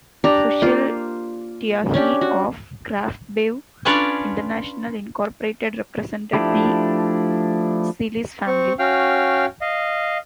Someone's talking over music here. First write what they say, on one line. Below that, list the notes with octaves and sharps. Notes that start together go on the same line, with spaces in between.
Sushil Tyagi, of Craftbev International Incorporated represented the Celis family.
D4 G4 A#5
A#3 F4 C5
C#4 D4 G4
F#4
C#4 D4 F4 B4 C#5 D5
F3 A3 D4 E4 G4
C4 C#6
C#4 F#4 F5 G5 F6
D#5 F5